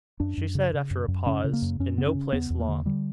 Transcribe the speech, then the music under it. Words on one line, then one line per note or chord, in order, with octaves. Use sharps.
She said, after a pause, in no place long.
F#2 D4
F#2
C#3
C#3
F#2
F#2
C#3 C#4
C#3
A#3
F#2
F#2 C#4
C#3 B3
C#4
C#3
E2 B3
E2
A#3
D3
D3 G3